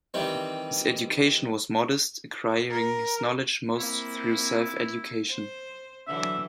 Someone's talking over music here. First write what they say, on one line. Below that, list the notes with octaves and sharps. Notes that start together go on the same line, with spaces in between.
His education was modest, acquiring his knowledge mostly through self-education.
D#3 E3 G3 C4
A#4
A#3 C4 E4
C5
D3 E3 F#3 E5